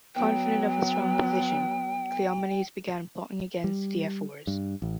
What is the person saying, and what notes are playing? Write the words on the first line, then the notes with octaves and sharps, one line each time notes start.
Confident of his strong position, Cleomenes began plotting against the ephors.
F#3 B3 G5
G3
G2
A1